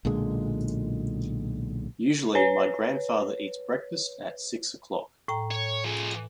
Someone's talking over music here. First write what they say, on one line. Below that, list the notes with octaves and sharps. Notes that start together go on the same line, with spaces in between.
Usually, my grandfather eats breakfast at six o'clock.
B1 A#2 D3 G#3
B4 C#5
A2 G5 A#5
C#5
F3 G#4